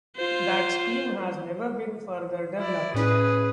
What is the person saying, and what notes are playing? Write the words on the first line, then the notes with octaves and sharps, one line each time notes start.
That scheme has never been further developed.
F4 C5
E4 D5
A2 C#4 E4 G#4 B4